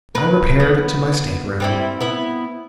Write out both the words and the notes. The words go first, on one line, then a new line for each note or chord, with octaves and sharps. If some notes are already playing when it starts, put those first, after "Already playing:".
I repaired to my stateroom.
A#4 B4
B3
G3 C4 E4
B3 E4